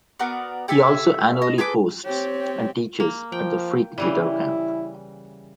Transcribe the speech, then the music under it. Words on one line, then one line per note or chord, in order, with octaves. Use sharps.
He also annually hosts and teaches at the Freak Guitar Camp.
B3 F#4 A#4 D5
G4 A4 E5 G#5
D#5
G#4 A4 B4 D6
C4 G4 C#5
A#3
F3 G5
C#3 E3 G3 E4